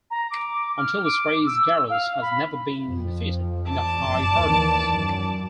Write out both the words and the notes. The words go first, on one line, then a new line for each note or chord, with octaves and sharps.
Until this race Garrels has never been defeated in the high hurdles.
A#5
D6
F6
D6
E6
F5
B5
F2 F3
D5 A5
F#1
D#2 D#3 E3
F#2